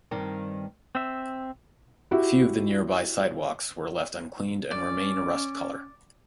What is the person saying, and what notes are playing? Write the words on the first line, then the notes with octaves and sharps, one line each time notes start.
A few of the nearby sidewalks were left uncleaned, and remain a rust color.
G2 D#3 C4
C4 E5
E4 F#4 G4 E5
C#4 D5